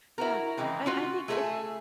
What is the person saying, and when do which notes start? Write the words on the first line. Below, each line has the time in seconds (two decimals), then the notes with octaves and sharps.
yeah, I I think it's
0.18 E4 F#4 A#4
0.57 C#3 E3 G#3 C4
0.86 C#4 F4 F#4
1.28 A3 G#4 A4 B4 E5 G#5